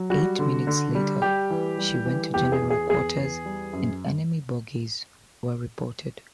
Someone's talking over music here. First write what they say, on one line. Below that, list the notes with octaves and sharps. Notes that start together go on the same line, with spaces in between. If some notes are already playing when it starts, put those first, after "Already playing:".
Eight minutes later, she went to general quarters, and enemy bogies were reported.
Already playing: F#3
G3 F#4
D3
D3
G3
G3 G4
E3
G3
E3
E2 G4
G#4
E2
G#4
E2 G#4
E2
G3
F#2